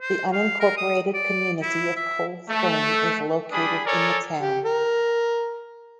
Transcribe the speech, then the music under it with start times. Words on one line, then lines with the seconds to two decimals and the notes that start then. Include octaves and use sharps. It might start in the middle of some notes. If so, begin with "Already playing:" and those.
The unincorporated community of Cold Spring is located in the town.
0.01 C5
0.33 F5
0.60 A#4
0.77 D#6
1.14 D5
1.62 E4
1.96 E5
2.48 A3
3.51 G3 D4 G#4 B5 D#6
3.85 A4 A#4 C#5 D5 G#5
4.42 G4
4.65 A#4